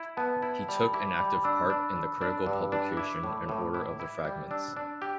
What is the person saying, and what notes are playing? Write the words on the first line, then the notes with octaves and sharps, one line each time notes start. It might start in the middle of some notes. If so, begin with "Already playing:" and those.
He took an active part in the critical publication and order of the fragments.
Already playing: E4
B3 A5
E4
G3 B5
E4 D6
G3 B5
D4 E6
D4
D4
D4
G2
D4
E4 D6
A2
A2
E4
E4
G3
D4 E6
D4
G4